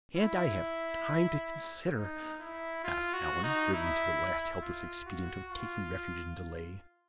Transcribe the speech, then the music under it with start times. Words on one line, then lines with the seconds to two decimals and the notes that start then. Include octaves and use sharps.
"Can't I have time to consider?" asked Allan, driven to the last helpless expedient of taking refuge in delay.
0.17 E4
1.95 D#4
2.40 E4
2.84 F4
3.13 F#4
3.43 D#4
3.73 E4
4.62 F4
5.07 F#4
5.52 F4